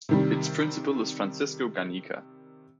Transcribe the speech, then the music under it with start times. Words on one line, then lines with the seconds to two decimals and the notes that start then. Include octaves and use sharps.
Its principal is Francisco Garnica.
0.09 C3 D#3 G3